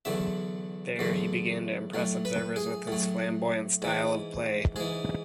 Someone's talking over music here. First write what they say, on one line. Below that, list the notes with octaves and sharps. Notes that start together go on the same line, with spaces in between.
There, he began to impress observers with his flamboyant style of play.
E2 D3 F#3 E5
E2 D3 F#3
A2 F#3
B4
G#4
A2 F#3
G#2 E3
G#2 E3 G#4